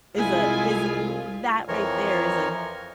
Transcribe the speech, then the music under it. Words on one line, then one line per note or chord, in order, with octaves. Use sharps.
is a is that right there is a
C2 G#3 E4 F4 G#4 G#5
F2 E3 F3 A#4 C#5